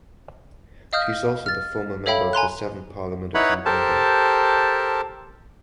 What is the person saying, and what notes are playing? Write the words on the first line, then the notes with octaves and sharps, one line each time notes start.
She is also the former member of the seventh Parliament of Uganda.
D#5 F5 D#6 F6 G6
F6 A6
A4 C#5 E5 F5 G5 B5
G#5 A#5 C6 F#6
D#4 E4 B4 C#5 F#5 B5
G4 A4 A#4 C5 A5